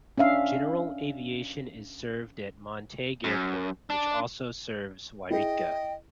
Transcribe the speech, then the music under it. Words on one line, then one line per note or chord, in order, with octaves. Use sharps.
General aviation is served at Montague Airport, which also serves Yreka.
C#4 D4 E5 F5
F#2
D4
E4 G#4 D#5 G5